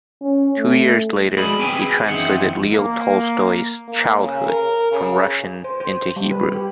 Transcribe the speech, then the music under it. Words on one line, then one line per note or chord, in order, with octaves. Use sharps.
Two years later, he translated Leo Tolstoy's "Childhood" from Russian into Hebrew.
C#4
A3
G#3 F#4 G#4 D5 B5
C4 G4 G#4 B4 G5 G#5
F#2 E3 C4 D#4 F#5
A#3
A#3
C#3
A#4
C#3
C5
C5
G3
B4
G4